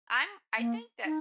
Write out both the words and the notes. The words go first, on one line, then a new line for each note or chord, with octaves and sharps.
I'm I think that,
A#3
D#4